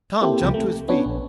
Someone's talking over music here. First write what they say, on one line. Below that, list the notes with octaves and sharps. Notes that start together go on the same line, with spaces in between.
Tom jumped to his feet.
A#3 C4 E4 G4 A4 C5
C#2 C3 F3 G5
A3
B3 C#4 D4 B4 C#5
A#1